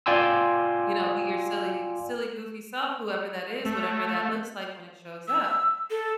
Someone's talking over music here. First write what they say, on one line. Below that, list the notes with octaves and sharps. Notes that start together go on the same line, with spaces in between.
you know, be your silly silly goofy self, whoever that is, whatever that looks like when it shows up.
F4 D5 G5 G#5 C6 E6
A3
E6
A4